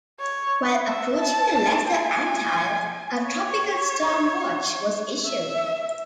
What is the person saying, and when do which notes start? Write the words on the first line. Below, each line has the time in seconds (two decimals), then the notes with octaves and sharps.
While approaching the Lesser Antilles, a tropical storm watch was issued.
0.20 C#5
0.87 E5
1.21 A5
1.89 G#5
3.23 C#5
5.26 E5